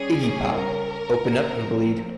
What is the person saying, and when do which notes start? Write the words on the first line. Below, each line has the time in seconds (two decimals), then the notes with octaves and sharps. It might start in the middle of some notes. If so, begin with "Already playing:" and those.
Iggy Pop: Open up and bleed.
Already playing: C#3 G3 C#4 G#4
0.54 A#4
1.26 C#3 F3 C4